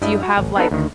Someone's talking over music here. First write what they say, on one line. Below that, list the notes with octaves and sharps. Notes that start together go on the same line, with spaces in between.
Do you have, like,
G2 G3 E4 D#5
F#4
A1
B3 D4 D#4 A4 B4
D2 D#3